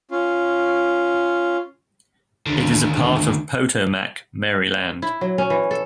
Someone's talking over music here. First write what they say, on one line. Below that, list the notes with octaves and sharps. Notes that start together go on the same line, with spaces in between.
It is a part of Potomac, Maryland.
C#4 F4
D#2 D3
E4
F#3
C#4
E3
A4